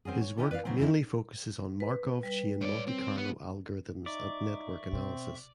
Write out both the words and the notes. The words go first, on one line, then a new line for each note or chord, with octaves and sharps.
His work mainly focuses on Markov chain Monte Carlo algorithms and network analysis.
C4 C#4 F#4 G#4
C#5
A3 C#4 D#4 E4 G4 A4
B4 D5 D#5 F5
C#3 F#3 B3 C4
E3 C4 C#4 D#4 E4
B4
G3 B4
G#2 C#5 D5
C4
B3
D#4 D5 E5 C#6
B2 C4